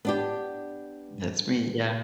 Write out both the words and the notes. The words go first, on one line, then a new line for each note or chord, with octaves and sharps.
That's me, yeah.
B3 D4 G4